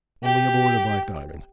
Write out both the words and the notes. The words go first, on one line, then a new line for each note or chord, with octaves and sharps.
'Only aboard the Black Diamond.
G4